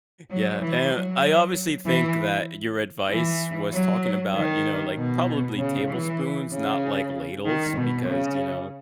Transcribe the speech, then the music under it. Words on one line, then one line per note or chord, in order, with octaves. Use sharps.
Yeah, and I obviously think that your advice was talking about, you know, like, probably tablespoons, not, like, ladles because, you know,
F#3
E3
F#3
E3
E3
F#3
D#3
B2
C#3
E3
C#3
D#3
B2
C#3